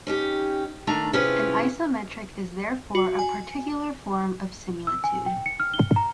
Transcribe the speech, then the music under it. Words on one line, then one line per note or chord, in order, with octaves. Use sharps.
An isometric is therefore a particular form of similitude.
C#4 D#4 G4
D#3 A3 D4 A#5
C3 C#4 E4 F4 G#4 B4
F#4
G#5
E6
G#5
G5
C#7
F6
G7
A#5